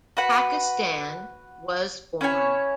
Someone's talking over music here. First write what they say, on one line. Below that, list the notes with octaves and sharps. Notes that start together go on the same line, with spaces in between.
Pakistan, was born.
F#4 B4 F#5
C#4 E4 C#5 G#5